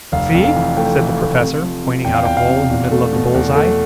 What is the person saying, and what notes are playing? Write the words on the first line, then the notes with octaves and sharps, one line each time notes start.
"See!" said the Professor, pointing out a hole in the middle of the bull's-eye.
F1 F5
F2
F5
E3
A3 G5
E3
F5
A3
C3
F3
C3
E2 G5
F5
E2 G5
F5
C3
E2
A3
B2
E2
A3